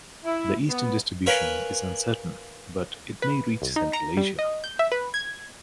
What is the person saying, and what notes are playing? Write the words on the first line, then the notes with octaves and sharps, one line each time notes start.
The eastern distribution is uncertain but it may reach central Asia.
E4
B3
A#4 B4 C#5 F5 G#5 B5
B4
C2
D#4
A#5
G3
D#5
G6
E5
B4
G#6